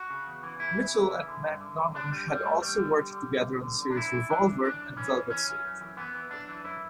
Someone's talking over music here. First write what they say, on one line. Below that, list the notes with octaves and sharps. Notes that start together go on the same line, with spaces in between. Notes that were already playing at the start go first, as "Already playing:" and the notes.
Mitchell and McDonnell had also worked together on the series "Revolver" and "Velvet Soup".
Already playing: F#4
C#3
E2
E3
C#3 E4
E2
E3
C#3
D3
G2
D3
D3
D3 D4
G2 G3
G2 G3
G2 A3
E2 G3
D3
D3
D3
E2
E2
D3
D3
D4
E3 E4
E3
E3 D4
E3
F#2 D4
F#2
E3 C#4
E3
E3 C#4
E3
F#2
E3
E3 B3
E3
F#2 D4
E3
F#2 E4